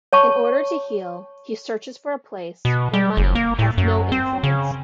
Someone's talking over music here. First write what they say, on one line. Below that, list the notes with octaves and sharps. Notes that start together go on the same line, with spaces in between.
In order to heal, he searches for a place where money has no influence.
C#5 A5 C#6
B2
G3
F#1
A#3
A2
F#2
C4
C#3